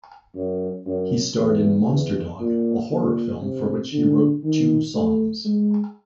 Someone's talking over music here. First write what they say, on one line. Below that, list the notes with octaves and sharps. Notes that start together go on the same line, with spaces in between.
He starred in "Monster Dog", a horror film for which he wrote two songs.
F#2
F#2
E2
E2
A#2
A#2
C3
D3
D#3
A3
G#3